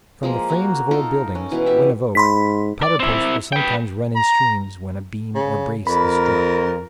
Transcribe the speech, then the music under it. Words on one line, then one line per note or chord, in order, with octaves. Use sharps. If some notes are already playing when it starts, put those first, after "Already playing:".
From the frames of old buildings, when of oak, powder-post will sometimes run in streams when a beam or brace is struck.
F3 G#3 A#3
A#3 F#4
D#4 F4 A4 A#4
C#4
B2 E3
G4 E5
G#2 B5 C6 B6
D5
C4 E4
B4 G5
A#5
C#3
F2 A#4 B5